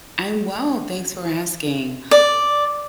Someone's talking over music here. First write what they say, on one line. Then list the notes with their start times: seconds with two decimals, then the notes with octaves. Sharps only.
I'm well, thanks for asking.
2.11 D5